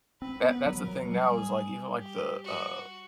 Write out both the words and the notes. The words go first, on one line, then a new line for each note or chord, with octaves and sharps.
That that's the thing now is, like, even like the, uh,
C4 B4
B3
B4
F#3
F3 A#4
F#3
G#3
G3 G#4
G4
F#4